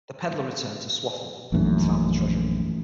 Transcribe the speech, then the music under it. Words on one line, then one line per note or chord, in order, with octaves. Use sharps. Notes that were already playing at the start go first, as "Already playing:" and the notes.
The pedlar returned to Swaffham, and found the treasure.
A#1 F#2 E3 A3 D#4